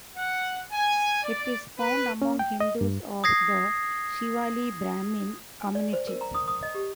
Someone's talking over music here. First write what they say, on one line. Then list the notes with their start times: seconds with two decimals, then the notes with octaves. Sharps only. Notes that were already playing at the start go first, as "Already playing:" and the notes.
It is found among Hindus of the Shivalli Brahmin community.
0.16 F#5
0.72 G#5
1.23 D5
1.78 B4
2.22 C#4
2.39 G5
2.60 D#5
2.81 G2
3.24 D#6 G#6 A#6 C7
5.61 G#5
5.75 D5
5.93 C5
6.07 A#4
6.21 A#5
6.34 D#6
6.48 D#6
6.63 D#5
6.75 G4